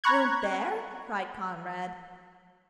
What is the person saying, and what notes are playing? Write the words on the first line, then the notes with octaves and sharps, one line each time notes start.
"Weren't there?" cried Conrad.
A#5 B5 C#6 F#6 G#6